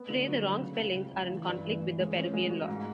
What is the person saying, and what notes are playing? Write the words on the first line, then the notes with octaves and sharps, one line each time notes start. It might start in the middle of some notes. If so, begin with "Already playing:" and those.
Today the wrong spellings are in conflict with the Peruvian law.
Already playing: B3
D3
F#3
F#3
C#3
C#2
C#3
C#2
E3
G2
E3
E3
G#3
C#4
G#3
F#4
G#2